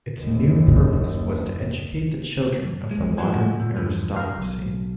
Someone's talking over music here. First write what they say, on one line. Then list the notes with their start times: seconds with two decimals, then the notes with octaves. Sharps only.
Its new purpose was to educate the children of the modern aristocracy.
0.20 F#1 D#2
2.91 G#3
3.18 F3 G#3 B3 C#4 F#4 G#4
3.60 A#2
3.76 E2 G2 F3
4.16 A#4 F5
4.30 B1